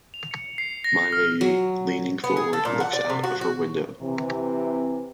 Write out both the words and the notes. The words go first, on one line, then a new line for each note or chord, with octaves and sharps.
My Lady, leaning forward, looks out of her window.
F7
C#7
C7
A#6
F6
F#3
B3
G#4
A4
A#2
F#5
D5
C3
F#4
F#4
C3 E3